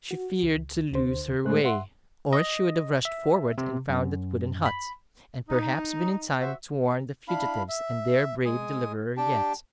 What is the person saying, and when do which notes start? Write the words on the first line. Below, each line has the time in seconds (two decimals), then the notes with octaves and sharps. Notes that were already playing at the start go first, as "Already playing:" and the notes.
She feared to lose her way, or she would have rushed forward and found that wooden hut, and perhaps been in time to warn the fugitives and their brave deliverer yet.
0.11 F#4
0.43 C#2
0.91 D2 D3 C5
1.45 A2 G#3 A3 G#4 C5 F#6
1.64 E5 F#5 C6
2.33 D#5
3.05 E5
3.58 C3
3.89 F#2
4.66 B5
5.49 D#4
6.40 F#4 C5 E5
7.28 D4 E4 F5 B5
7.69 E5
8.46 G#3 G#5 D#6
9.17 D4 G4 G5 A5